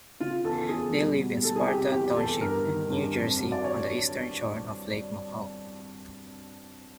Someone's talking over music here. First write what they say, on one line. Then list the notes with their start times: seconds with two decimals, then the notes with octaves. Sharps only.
They live in Sparta Township, New Jersey, on the eastern shore of Lake Mohawk.
0.20 C#3 F4
0.44 E2 A4
0.69 E2 G#4
0.94 G3
1.18 B2
1.43 G3 A4
1.56 G#4
1.67 C3 G4
1.92 E2 G4
2.17 E2 A4
2.41 G2 A#4
2.66 D#3
2.90 G2
3.14 F2
3.39 F#3
3.52 D5
3.64 C#5